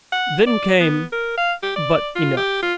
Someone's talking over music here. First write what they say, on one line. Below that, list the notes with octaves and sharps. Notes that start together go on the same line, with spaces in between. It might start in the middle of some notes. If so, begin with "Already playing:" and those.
Then came--But enough!
F#5
D5
B3
A#4
F5
G4
D5
F4
G4
F4